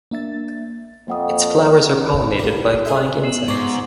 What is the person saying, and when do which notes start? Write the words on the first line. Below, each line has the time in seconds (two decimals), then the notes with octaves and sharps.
Its flowers are pollinated by flying insects.
0.11 A#3 D4 E5 A6
1.08 F2 A#3 F#5 D#6
2.39 A2 G3 A#3
2.85 G#4 A4 C5 D#5 E5 G#5
3.24 B3 C7 E7
3.48 G#2 C5 A#5 C#6 D6 C7